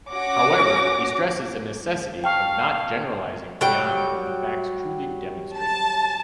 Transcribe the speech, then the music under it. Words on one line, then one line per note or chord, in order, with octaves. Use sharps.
However, he stresses the necessity of not generalizing beyond what the facts truly demonstrate.
C#4 F#4 C#5 D6 A#6
F5 G5 A5 C#6
F#3 G3 G5
A5